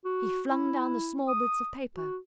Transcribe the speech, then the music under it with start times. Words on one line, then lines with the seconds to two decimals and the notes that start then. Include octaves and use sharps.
He flung down the small bits of paper.
0.05 F#4
0.49 E4
1.28 D#6
1.97 F#4